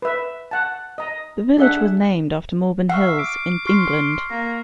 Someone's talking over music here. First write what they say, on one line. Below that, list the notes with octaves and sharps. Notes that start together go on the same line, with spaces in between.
The village was named after Malvern Hills, in England.
B4 E5
F#5 A5
D#5 A#5
D4 G#4 E5 F#5
E5 F#5 C#6 F6 C7
D6
C6 C#6 F6 C7
A#3 A#5